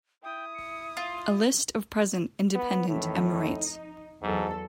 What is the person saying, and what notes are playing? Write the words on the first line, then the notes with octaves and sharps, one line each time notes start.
A list of present independent Emirates.
E4 G5 D#6
C#7
F4 C6
B3
F2 A2 D#3 E3
D#4
E2 G#2 F#3 A4